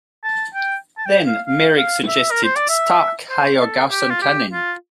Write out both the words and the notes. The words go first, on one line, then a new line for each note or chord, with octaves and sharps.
Then Merrick suggested Stark hire Garson Kanin.
A5
G5
A5
G5
F5
F5
F5
E5
A#4
C5
D5
E5
C5
A4
G4
F4
G4
F4